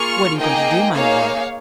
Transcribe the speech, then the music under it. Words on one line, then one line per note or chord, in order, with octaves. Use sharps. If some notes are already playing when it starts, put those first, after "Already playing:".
"What are you going to do, my lord?"
Already playing: A#3 F4 G#4 C#6 F6
A#3 D#4 G#4 D#5 G5
A#3 D#4 G#4 C#5 F5